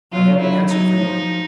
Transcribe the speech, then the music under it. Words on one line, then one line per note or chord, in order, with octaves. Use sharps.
I have answered for you.
F#3 F4
E4
F#3 D#4
F3